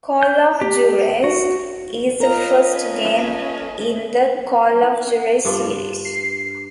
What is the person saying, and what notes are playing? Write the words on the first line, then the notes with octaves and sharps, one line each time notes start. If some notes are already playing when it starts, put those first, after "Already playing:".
"Call of Juarez" is the first game in the "Call of Juarez" series.
G6
G4
F#4
F4 A#4 B4 C#5 D#5 F5 A#5
C#4 A4
G2 D4 F4
C7